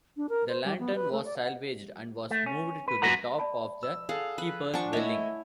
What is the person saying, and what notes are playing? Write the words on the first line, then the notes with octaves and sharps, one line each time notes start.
The lantern was salvaged and was moved to the top of the keeper's dwelling.
D4
A#4
C5
G3
B3
B4
A3
D5
F#5
A3
C#4
B4
F#2 A#2 F#4 B4 F#5 A#5
D5 A5 B5
E6
G#4 A4 F5 F#5
B4
F3 D4 F#5 G#5 A5 C#6
A3 E4 C#5 D#5 E5